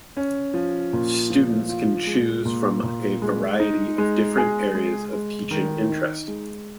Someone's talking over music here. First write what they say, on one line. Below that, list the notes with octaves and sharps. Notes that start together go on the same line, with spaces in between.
Students can choose from a variety of different areas of teaching interest.
C#4
F3
A#2
F3
F4
G#3
A#2
A#2
G#3
D#4
G#3
G#4
G#3
G#3
D#3
D#4
G#3